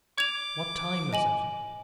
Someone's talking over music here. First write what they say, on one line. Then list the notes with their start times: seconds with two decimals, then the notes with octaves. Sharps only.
"What time is it?"
0.18 D6 G#6 F7
1.13 D#5 G#5 F#7